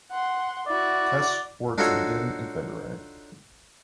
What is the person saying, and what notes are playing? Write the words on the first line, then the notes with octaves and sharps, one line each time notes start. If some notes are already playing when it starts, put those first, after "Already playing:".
Tests were to begin in February.
F#5 C6
E4 F#4 D5
D4 D#4 F4 F#4 A4 C#5